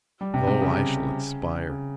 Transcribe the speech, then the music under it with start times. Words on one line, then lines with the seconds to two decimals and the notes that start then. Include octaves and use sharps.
O, I shall expire!
0.21 G3
0.34 C3
0.47 C3
0.61 C#3
1.69 C#3